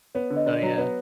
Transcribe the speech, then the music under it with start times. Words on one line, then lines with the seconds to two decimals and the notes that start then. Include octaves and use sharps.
So, yeah.
0.15 B3 C#5
0.30 D3
0.37 D#5
0.46 D3 D5
0.62 F#3 C#5
0.78 B3 C#5